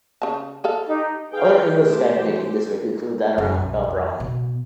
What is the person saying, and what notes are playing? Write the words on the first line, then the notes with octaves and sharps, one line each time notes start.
Other English scythe-making districts include that around Belbroughton.
C#3 A5
G#4 A4 F5
D#4 G4
F4 G#4 B4 F5 G5
A3 G4 C5
F#2 E3
F#2
B1
F2
B2